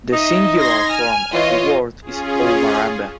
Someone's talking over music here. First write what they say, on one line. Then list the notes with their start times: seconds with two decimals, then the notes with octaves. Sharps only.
The singular form of the word is omuramba.
0.13 D#4 D#5 E5
0.58 C6 G#6 A#6
0.90 G#5 F6
1.34 E3 F4 C#5 D#5
2.02 C#4 F4 G#4